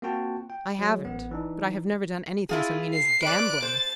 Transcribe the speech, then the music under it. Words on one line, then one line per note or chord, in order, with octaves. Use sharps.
I haven't; but I have never done anything so mean as gambling.
A#3 C4 F4 F#4 G5 A5
G5
F#3 G#3
A1 B3
E3 D4 D#4
E4 F4 G#4
C7
B4 D5 F#6 D7
C5 A6